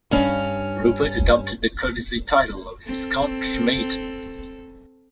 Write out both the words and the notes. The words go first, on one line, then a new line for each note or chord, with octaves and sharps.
Rupert adopted the courtesy title of Viscount Trematon.
G2 C#4
C4 A4